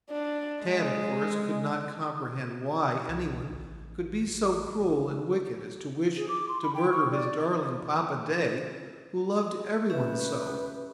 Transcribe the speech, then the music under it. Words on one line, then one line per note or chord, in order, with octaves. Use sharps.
Tad, of course, could not comprehend why any one could be so cruel and wicked as to wish to murder his darling Papa-day, who loved every one so!
D4
G#3
C2
A1
A1
E1
G#4
D6
C6
B5
G5
C#6
D5
C#4 G4 B4 E5